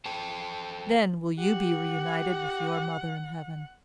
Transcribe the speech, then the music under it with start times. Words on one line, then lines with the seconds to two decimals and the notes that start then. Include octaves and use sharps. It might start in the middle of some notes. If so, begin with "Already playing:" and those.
Then will you be reunited with your mother in heaven.
0.06 A4 C5 G5 A5
1.39 G4 F#5